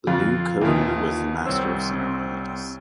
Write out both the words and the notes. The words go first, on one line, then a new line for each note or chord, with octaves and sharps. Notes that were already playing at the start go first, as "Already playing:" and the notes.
Lew Cody was the master of ceremonies.
F2 F4
D#2 D#3 E3
C2 C4 C#5 E6